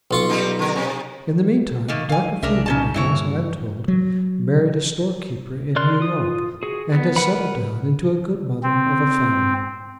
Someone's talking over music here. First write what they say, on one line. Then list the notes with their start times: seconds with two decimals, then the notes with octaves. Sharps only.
In the meantime, Dr. Fleabody has, I am told, married a store-keeper in New York, and has settled down into a good mother of a family.
0.11 B1 F4 C#6
0.29 G3 A#3 D#4
0.59 D3 A#4
0.76 C3
1.88 A3 A#3 D#4
2.09 F5 G#5
2.43 C2 C#3 D4 A#4 E5
2.66 C#4 D#4 A5
2.94 G2 D3 E3 A#3 E4 C#5
3.88 F#3
5.76 A#4 D5 C6 F#6
6.00 F4 D#6
6.63 F#4 G#4
6.92 B3
7.16 A#4 B4 F#5 B5
8.63 C4